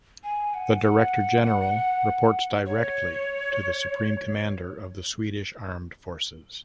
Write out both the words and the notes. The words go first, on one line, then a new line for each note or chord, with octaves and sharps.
The director general reports directly to the Supreme Commander of the Swedish Armed Forces.
G#5
F#5
F#5
C#5